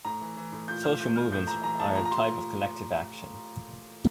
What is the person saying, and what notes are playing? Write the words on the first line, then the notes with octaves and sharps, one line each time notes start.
Social movements are a type of collective action.
A2 A#5
E3
E3
A2
A#2 G6
A#2 F6
A#2 G6
A#2 F6
A2 G6
E3 A#5
E3 A#5
A2 A5
A#2 A#5
A#5
A#2 C6